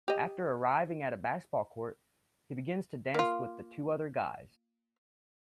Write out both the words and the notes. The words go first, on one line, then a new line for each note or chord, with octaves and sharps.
After arriving at a basketball court, he begins to dance with two other guys.
G4 D#5
A#3 F4